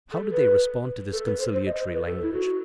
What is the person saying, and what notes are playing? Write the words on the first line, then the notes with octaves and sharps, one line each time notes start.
How did they respond to this conciliatory language?
A4
B4
A4
B4
C5
C5
D#5
C5
B4
A4
E4
F#4